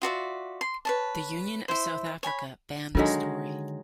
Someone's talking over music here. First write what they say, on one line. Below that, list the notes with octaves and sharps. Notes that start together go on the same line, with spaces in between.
The Union of South Africa banned the story.
F4 F#4 D5 E5
C6
B4 C#5 A5
E4 C5
C#5 G#5 A5 B5
D3 D#3 F#3 G#3 D4 A4 D#5